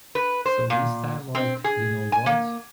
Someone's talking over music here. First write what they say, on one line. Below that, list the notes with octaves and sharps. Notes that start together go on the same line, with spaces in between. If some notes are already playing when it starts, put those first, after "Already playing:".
So this time, like, you know what?
B4
C5
A#2
C4
G#4
G#5
A#3